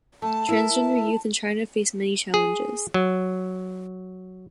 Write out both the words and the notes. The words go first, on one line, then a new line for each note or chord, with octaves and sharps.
Transgender youth in China face many challenges.
A3 A5
E4 A#4 E5
G#4
F#3